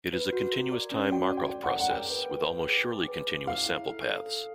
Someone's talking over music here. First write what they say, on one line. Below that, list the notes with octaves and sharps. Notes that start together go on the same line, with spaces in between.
It is a continuous-time Markov process with almost surely continuous sample paths.
B4
F#4
A#4
D5
C#4
F#4 G5
D5
G5
D5
F#5
A#4
F#5
G#4 G5
B4
B4
B4
G#4
G#4
B4
G#4
E4 F5
E4
A4
A4
A4